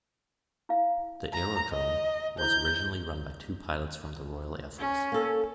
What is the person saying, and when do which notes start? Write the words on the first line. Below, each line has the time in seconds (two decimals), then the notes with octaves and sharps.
The aerodrome was originally run by two pilots from the Royal Air Force.
0.69 E4 F5
1.33 A#5
1.72 D#5
2.38 E4 C5 G6
4.79 C#4
5.12 A#3 A4